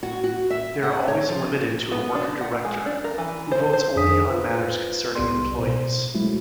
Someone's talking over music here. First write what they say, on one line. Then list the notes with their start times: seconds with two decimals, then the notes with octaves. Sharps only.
They are always limited to a Worker-Director, who votes only on matters concerning employees.
0.03 F#4
0.24 F#4
0.50 E5
0.83 F#5
1.08 C#5
1.29 F3
1.91 B3
2.15 D4
2.41 F#5
2.65 G#3
2.86 D4
3.04 A#4
3.18 E3
3.52 C5
3.73 C5
3.96 F2 D4 G#4 G#5 D#6 B6
4.27 F4 B4 C5
5.15 C2 B3 G4 D5 C6
5.59 B2 C5
6.14 F#3 G#3 A3 E4 F#4